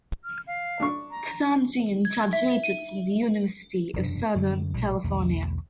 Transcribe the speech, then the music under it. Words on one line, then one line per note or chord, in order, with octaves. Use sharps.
Kazanjian graduated from the University of Southern California.
F6
F5
D4 C#6
A#5
G#6
E5
D#7
E1 F#2 C3 D4
F#2 D3
A#1 B2 G3
B1 E2 D3 A3